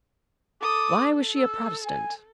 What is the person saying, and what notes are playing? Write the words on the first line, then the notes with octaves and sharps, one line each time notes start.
Why was she a Protestant?
A4 D6 D#6
A4
E6
G#5